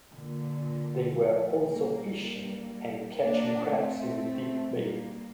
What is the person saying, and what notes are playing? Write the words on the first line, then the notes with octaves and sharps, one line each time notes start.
They were also fishing and catching crabs in Deep Bay.
A#2 D3
F3 A3
G3 A#3
G3 A#3
A#3 D4
A3 C4
G3 A#3